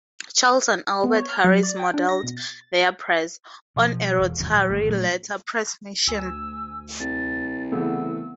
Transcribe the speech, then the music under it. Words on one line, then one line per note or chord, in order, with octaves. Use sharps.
Charles and Albert Harris modeled their press "on a rotary letter press machine".
B3
C#5
F6
F#3
D5
G5
D4
A#6
B2
A6
B2 F3
E1
E1 D#2 G#2 B2
A#2 F3 F#3
G1 D#3 A3
A#2 F#3 A3
D2 G#5 E6
C2 A6
C#3 E3 A3 B3 E6